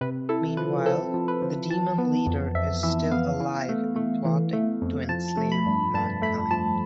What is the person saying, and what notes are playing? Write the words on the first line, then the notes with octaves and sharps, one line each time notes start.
Meanwhile, the Demon leader is still alive and plotting to enslave mankind.
C3 B4
E4 A4
F3 B4
C4 A4
F3
B4
F3
E3 A5
B3
F2
F2 E5
E3 E5
B3 F5
E3
A3
A3
E3
A3
F2
F3 A5
A3
B5
G2
G2 A5
A3 B5
F3 A5